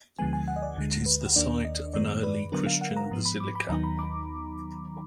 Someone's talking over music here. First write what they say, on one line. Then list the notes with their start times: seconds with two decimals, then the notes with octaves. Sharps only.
It is the site of an early Christian basilica.
0.19 D2 D3 F3 G#3 B3 G#5
0.33 G#5
0.48 F#5
0.56 D#5
0.62 D5
0.77 D2 D3 G#3
1.06 B4
1.36 D#2 D#3 A#3 D4 D5
1.65 D#5
1.94 F#2 D#3 G#3 B3 D5
2.23 B4
2.52 D3 F#3 B3 D4 A#4
2.66 F5
2.81 F#5
2.97 A#5
3.11 G#2 F3 B3
3.25 B5
3.40 D6
3.55 B5
3.69 D#2 D#3 F#3 B3 D#4 A#5
3.84 B5
3.99 D6